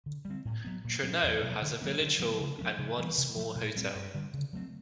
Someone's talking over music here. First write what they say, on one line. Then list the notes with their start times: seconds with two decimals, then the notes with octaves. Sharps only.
Treknow has a village hall and one small hotel.
0.06 D3
0.25 G3
0.30 C4
0.45 A2
0.65 F#3 B3
0.84 A#2
1.03 F#3 A3
1.07 C#4
1.23 E2
1.42 B2 F#3
1.62 D3
1.81 F#3 A#3 C#4
2.01 D3
2.19 F3 G#3 B3
2.40 C#3
2.59 F3 G#3 C#4
2.78 C3
2.98 E3 G3 B3
3.18 C3
3.36 F3 A3
3.56 A#2
3.76 G3 C4
3.96 G2
4.14 D3 G3
4.34 C#3
4.53 F#3 A3 C4